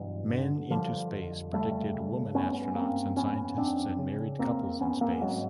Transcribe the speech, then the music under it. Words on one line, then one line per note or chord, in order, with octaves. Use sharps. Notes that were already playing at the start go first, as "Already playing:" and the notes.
"Men Into Space" predicted women astronauts and scientists and married couples in space.
Already playing: G2 B2 E3 F#3
D3
D3 F3 G3
F2
C#3 G3 A3
C#3
G2 B3 C#4
G2 A#3 C4
F2 B3 C#4
F2 C4 D4
C#3
F2 A#3 C4
G#2 B3 C#4
A#3 C4
G#2 F#3 G#3